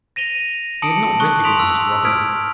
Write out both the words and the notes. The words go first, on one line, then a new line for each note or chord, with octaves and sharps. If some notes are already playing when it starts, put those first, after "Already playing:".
He had not recognized Robin.
A#6 D#7 F7 G7
A5 D6 D#6 C#7 D7 F#7
A5 C#6 D#6 F#6 G7
C6 D#6 B6 D7 F7 F#7
E6
D#6 F6 G#6 B6 D7